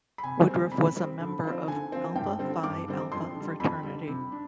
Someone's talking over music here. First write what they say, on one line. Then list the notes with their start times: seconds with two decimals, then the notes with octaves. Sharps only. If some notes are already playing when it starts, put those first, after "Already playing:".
Woodruff was a member of Alpha Phi Alpha fraternity.
0.18 B5
0.23 C3 G#5
0.48 G3 C4
0.72 C3 B5
0.96 G3 C4
1.20 D3
1.44 F3 C4
1.68 D3 G#5
1.92 F3 C4
2.15 G2 G5
2.39 D3 G3 C4
2.63 G2 D6
2.88 D3 G3 C4
3.12 F2 C6
3.35 D3
3.40 G3
3.60 F2 B5
3.83 D3 G3
4.08 C3
4.32 D4